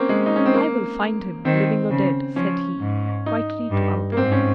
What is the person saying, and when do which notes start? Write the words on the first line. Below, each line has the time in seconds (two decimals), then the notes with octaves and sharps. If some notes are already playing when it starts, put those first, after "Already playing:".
"I will find him, living or dead," said he quietly to Aouda.
Already playing: A#3 C4 C#4
0.09 G#3
0.26 D#4
0.36 C#4
0.46 C4
0.54 A#3
1.45 D#3 C4
1.90 C#3
2.36 F3 C#4
2.81 G#2
3.26 D#4
3.72 G2
4.12 A#3
4.17 G#2 C4
4.32 C#4